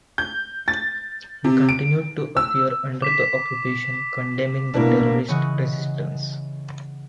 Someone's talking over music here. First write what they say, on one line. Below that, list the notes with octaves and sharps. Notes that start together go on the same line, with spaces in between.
He continued to appear under the Occupation condemning the terrorist Resistance.
G6
A6
C3
D7
E6
D6 B6 E7
B2 A#3 D4 E4
C#3 E3 C#5 D#5 F#5 F#6